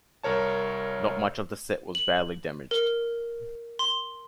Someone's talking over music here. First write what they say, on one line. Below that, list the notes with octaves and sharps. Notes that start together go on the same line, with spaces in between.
Not much of the set was badly damaged.
C2 A#4 C#5 A5
F#7
A#4
C6